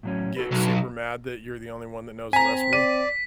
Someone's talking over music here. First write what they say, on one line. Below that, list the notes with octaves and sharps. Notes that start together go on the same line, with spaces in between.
get super mad that you're the only one that knows the recipe?
A2 F#3 C#4
F#4 A4 B4
B1
C4 G#5 A#5 B6
D5 D#7